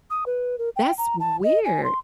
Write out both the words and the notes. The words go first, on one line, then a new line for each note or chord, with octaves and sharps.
That's weird
D#6
B4
A#4
G5
A#5
A5
D#5
G#5
C6